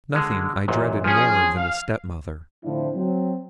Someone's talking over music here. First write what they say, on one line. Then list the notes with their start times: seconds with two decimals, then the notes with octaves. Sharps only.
Nothing I dreaded more than a step-mother.
0.14 D3 G#3
0.68 A1 F#2 A#2
1.04 F3 C#4 G#4
1.56 F5
2.64 A2 D3 F3 C4 D4 E4
2.95 F#3 C4